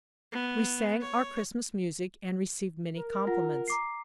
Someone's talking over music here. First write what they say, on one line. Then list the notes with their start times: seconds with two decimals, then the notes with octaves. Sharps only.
We sang our Christmas music, and received many compliments.
0.33 B3
1.01 C#5
2.97 A#4
3.27 F4 F#5
3.68 A#5 D6 C7